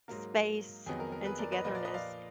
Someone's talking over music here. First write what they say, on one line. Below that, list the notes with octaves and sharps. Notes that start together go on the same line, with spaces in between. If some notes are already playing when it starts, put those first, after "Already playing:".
space and togetherness,
G#2 F#3 A#3 A#4
F2 D#3 F#3 B3 G#4
A#4
A#4
G#4 B4
A#4 D5
B4 D#5
A#2 F3 A#3 B4 D#5
A#4 D5
B4 D#5
D5 F5